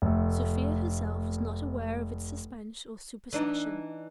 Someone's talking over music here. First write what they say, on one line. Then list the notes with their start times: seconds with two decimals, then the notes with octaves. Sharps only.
Sofia herself was not aware of its suspense or supersession.
0.02 F1 A3
3.33 E3 D4 D#4